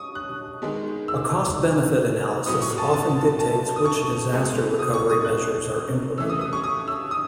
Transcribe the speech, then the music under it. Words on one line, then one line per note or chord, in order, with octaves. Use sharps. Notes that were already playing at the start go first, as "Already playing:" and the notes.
A cost-benefit analysis often dictates which disaster recovery measures are implemented.
Already playing: C#6 D#6
F#6
D#3 G#3 B3
E6
A2 F#3 B3 D#6
C#6
A5
A5
A5
D#6
C#6
B2 G#3 B3
D#6
C#6
D#6
F#6
C#3 E3 A3 E6
D#6
D#6
C#6
D#6
E6
D#6